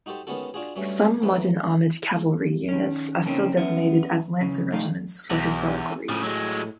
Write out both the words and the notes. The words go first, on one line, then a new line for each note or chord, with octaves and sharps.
Some modern armored cavalry units are still designated as lancer regiments for historical reasons.
D#4 F#4 G4 A4 C5
D#3 G#3 B3 C#4 F#4 A4
D4 F4 F#4 G#4
G2 F#3 A3 C#4
F2 B3 C#4 E5
D#3 C#4
C#3 E3 A#3 C4 C#4 D#4
B3 C#4 E5
C#3 E3
C2 A3 D#4 F5
B1 E2
A2 C#3 F3
F#3 G#3